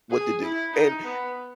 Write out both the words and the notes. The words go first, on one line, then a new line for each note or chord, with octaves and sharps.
what to do, and, b
G#4
E4
D#4
B3